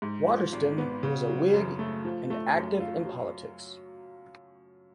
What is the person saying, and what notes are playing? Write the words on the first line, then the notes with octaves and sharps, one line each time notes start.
Watterston was a Whig and active in politics.
G#2
F3
G#1
B3
C#3
F#3
F#2
A3
F3
A3
F#2
F4
F#3